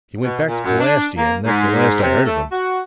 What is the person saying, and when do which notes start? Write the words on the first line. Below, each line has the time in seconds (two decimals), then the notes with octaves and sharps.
"He went back to Calastia, and that's the last I heard of him."
0.23 B2
0.48 A#2
0.65 F#2
0.81 D4
1.17 A#3
1.45 G#2
2.03 C3
2.26 A3
2.52 F#4